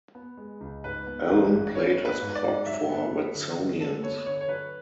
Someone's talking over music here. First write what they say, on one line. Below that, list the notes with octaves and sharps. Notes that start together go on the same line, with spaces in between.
Allan played as prop for Watsonians.
B3
G#3
C#2
G#2 B4
B3
A1
G#2
B3 C#5
B3
B4
G#2
D5
G#2
F#3 E5
B3
F#3
D3
F#2
D3 A4
B3 C#5
D3 C#5
C#5
F#3 B4